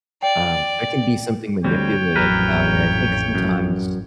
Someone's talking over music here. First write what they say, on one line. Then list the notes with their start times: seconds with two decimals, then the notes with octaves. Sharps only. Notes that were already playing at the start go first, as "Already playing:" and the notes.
um, there can be something manipulative about it, I think sometimes
0.23 D5 G5
1.64 D2 G3 C4 C#5 G5
2.16 A1 F2 F#3 A#4 B4
3.35 F#2